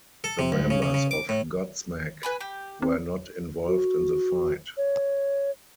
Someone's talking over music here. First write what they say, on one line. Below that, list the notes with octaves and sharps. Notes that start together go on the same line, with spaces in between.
The members of Godsmack were not involved in the fight.
A4
C3
D2
C#3
C#3
C#3
D6
A2
B4 G#5 B5
G4
C4
F#4
C#5